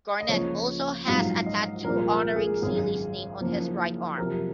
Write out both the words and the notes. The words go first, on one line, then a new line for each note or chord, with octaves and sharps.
Garnett also has a tattoo honoring Sealy's name on his right arm.
D#5
C#2 C#3 F3 A#3 C#5
A#1 G#2 F#3 F5
D#5
C2 A#2 F3 G#3 A#4
A#4
G#4
G#1 F#2 C#3 G#4
F#1 F#2 F3 A#3
F2 C3 F#3 A#4